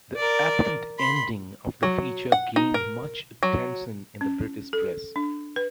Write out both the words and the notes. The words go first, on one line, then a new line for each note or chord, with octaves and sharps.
The apparent ending of the feature gained much attention in the British press.
A#4 D5
B5 C6
F#3
F#5
D#4
A#4
F#3
C#4
A4
D4
B4